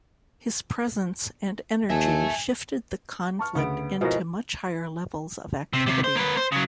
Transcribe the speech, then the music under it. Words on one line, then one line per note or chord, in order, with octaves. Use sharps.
His presence and energy shifted the conflict into much higher levels of activity.
D#2 E5 G#5 A5
A5 C#6 F6
D2 C#3 B3 D7
B2 F3 G#3 E4 A#4 A#6
C3
D#2 C3
C5
A#3 B4
C5
C#3 F#3